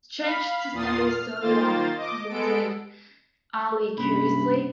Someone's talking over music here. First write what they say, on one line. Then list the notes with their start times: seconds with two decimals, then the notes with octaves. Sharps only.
"Strange to stay so long," commented Ali curiously.
0.20 F5 B5
0.73 E2 A#2 F4 D#6 A6 C7
1.06 F6
1.40 D#3 A#3 F4 C5 A6
1.97 D#5 D6
2.28 G#3 B3 A4 D7
3.98 G2 C3 A#3 C#4 B5